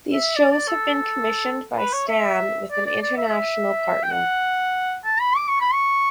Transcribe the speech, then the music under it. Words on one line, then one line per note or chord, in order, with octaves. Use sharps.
These shows have been commissioned by Stan with an international partner.
E5
D5
D5
A4
B4
C#5
E5
D5
D5
D5
E5
G5
F#5
A5
B5
D6
C#6
B5
C#6